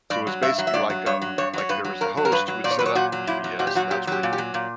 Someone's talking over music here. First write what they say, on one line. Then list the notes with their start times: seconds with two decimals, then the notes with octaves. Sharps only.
So, it was basically like, um, like there was the host who would set up the BBS and that's where you could
0.10 G2 D5
0.27 F#3
0.43 G2 E5
0.58 F#3
0.67 E5
0.74 G2 D5
0.90 F#3
1.06 G2 C#5
1.22 F#3
1.38 G2 C#5
1.53 F#3 C#5
1.69 G2 B4
1.85 F#3
2.01 G2 A#4
2.17 F#3
2.25 A#4
2.32 G2 B4
2.48 F#3
2.64 A#2 D5
2.71 C#5
2.79 F#3 B4
2.86 C#5
2.95 A#2 F#4
3.12 F#3
3.27 A#2 E4
3.44 F#3
3.59 A#2 F#4
3.67 G4
3.75 F#3 F#4
3.91 A#2 G4
4.07 F#3 G4
4.23 A#2
4.33 G4
4.38 F#3
4.54 A#2